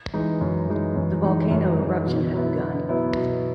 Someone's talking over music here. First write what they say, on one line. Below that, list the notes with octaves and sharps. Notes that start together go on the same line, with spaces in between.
The volcano eruption had begun.
E3 G#3 D#4
F#2
E3 G#3 D#4
F#2
E3 G#3 D#4
F#2
E3 G#3 D#4
B2
F#3 B3 E4
B2
F#3 B3 E4
B2